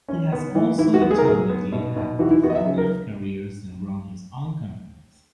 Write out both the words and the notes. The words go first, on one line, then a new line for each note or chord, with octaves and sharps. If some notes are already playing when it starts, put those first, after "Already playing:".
He has also intermittently had portfolio careers and run his own companies.
C#4
B3
E3
E3 E4
F#4
B3
G#4
A#4
F#3 G#4
B3
B2
B2
E3 F#4
E4
B3 F#4
D#5
E5
C#3
A#4